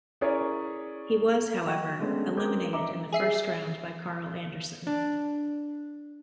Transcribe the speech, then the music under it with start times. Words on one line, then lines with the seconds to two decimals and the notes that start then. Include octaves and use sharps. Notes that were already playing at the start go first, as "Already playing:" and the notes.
He was, however, eliminated in the first round by Karl Anderson.
0.21 C#4 E4 G#4 A#4 C#5 D5
1.66 F#3 D#5 F#5 G5 C#6 F#6
2.00 G#3 A3 B3 C#4 D4
2.36 C4 C#4 A#4 D6 D#6 G6
2.73 D4 D#5 E5 A#5 D6 E7
3.12 G#4 E5 C7
4.87 D4